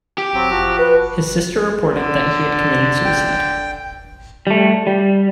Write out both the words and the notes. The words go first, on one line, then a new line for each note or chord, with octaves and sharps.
His sister reported that he had committed suicide.
G4
F#3 C4
F3 F#4
B4
D3
G5
G3 A3
G3